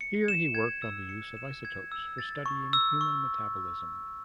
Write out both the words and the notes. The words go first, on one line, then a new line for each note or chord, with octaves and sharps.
Here he worked on the use of isotopes for studying human metabolism.
C#7
E7
G#6
E6
C#7
E7
G#6
E6
A6
C#6
E6
C#6